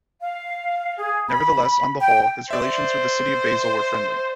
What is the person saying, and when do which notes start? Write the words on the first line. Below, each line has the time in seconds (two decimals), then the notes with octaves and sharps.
Nevertheless, on the whole, his relations with the city of Basel were friendly.
0.22 F5
0.98 G#4
1.28 B5
2.00 G5
2.51 C5 D5 E5